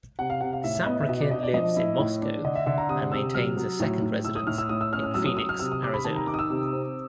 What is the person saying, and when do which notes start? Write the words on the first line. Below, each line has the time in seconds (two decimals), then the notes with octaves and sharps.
Saprykin lives in Moscow and maintains a second residence in Phoenix, Arizona.
0.19 C3 F#5
0.30 F5
0.41 C3 F#5
0.53 F5
0.64 A2 E5
0.75 E5
0.86 B3 D#5
1.00 E5
1.09 B2 D#5
1.21 D5
1.31 D4 D#5
1.43 D5
1.53 F3 D#5
1.77 E4
1.99 A2
2.22 D4
2.44 D3 D#5
2.55 E5
2.66 D3 E5
2.78 A#5
2.89 C3 D#6
3.12 C3 E6
3.34 F#3 F6
3.57 F#3
3.80 A2
4.02 A2
4.24 A2 E6
4.35 D#6
4.47 A2 F6
4.58 E6
4.69 A2 D#6
4.81 E6
4.92 C#4 F6
5.04 F6
5.14 F#3 E6
5.25 D#6
5.37 F#3 D#6
5.49 F6
5.60 C3 E6
5.72 D#6
5.83 C3 D6
5.94 B5
6.05 D#3 A5
6.16 A#5
6.27 D#4 D6
6.34 D#6
6.39 E6
6.50 C3
6.73 C4